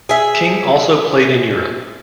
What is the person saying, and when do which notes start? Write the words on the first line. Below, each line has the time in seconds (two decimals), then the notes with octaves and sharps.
King also played in Europe.
0.09 G#4 E5